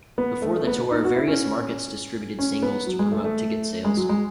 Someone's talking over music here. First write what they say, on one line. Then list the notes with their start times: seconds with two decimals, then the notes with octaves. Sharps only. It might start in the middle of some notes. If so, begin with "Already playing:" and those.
Before the tour, various markets distributed singles to promote ticket sales.
0.18 B3
0.42 A3
0.55 A3
0.67 B3
0.91 D#4
1.04 F#4
1.16 E4
1.28 C#4
2.39 C#4
2.62 B3
2.87 F#3
2.99 G#3
3.12 A3
3.24 A3
3.85 G#3
3.97 F#3
4.09 G#3